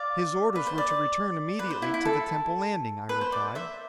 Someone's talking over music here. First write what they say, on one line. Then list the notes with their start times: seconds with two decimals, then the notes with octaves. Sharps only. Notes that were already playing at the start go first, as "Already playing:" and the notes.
"His orders were to return immediately to the temple landing," I replied.
Already playing: D5 F5
0.55 B4
0.67 C5
0.78 D5
1.59 B4
1.70 C5
1.82 E4
1.94 E4
2.05 A4
3.09 B4
3.21 C5
3.32 D5
3.55 C5 E5